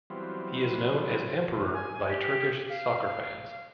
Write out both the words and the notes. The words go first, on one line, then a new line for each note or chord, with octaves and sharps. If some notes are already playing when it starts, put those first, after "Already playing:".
He is known as "emperor" by Turkish soccer fans.
E3 F#3 G3 B3 C4 F4
G#5
G4
F5